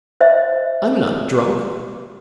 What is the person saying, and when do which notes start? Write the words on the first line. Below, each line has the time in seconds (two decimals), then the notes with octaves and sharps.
I'm not drunk.
0.21 C5 D#5 E5